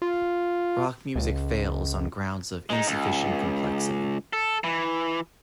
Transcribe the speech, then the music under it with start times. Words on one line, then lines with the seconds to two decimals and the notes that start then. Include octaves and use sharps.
Rock music fails on grounds of insufficient complexity.
0.02 F4
1.16 C#2
2.70 G#3 D#4
2.88 C#2
4.33 A4
4.64 E3